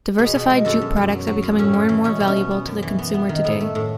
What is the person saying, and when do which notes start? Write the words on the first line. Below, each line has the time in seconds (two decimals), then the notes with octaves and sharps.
Diversified jute products are becoming more and more valuable to the consumer today.
0.18 B2 G#4 B4
0.35 B2
0.50 G#3
0.65 F#2 F#4 A4
0.81 F#2
0.97 F#2
1.12 F#3
1.27 F#3
1.42 F#2
1.59 A2 C#4
1.74 A2
1.89 E3
2.04 B2 C#4
2.20 B2
2.28 C#4
2.37 B3
2.51 B3
2.67 F#2
2.83 E3
2.99 B3
3.14 B3
3.29 D#3
3.44 A2 B3
3.60 A3
3.75 A2